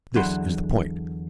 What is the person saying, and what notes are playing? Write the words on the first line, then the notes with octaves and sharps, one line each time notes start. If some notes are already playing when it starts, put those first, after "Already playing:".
This is the point.
E2 D3 F#3 F#5 B5 C6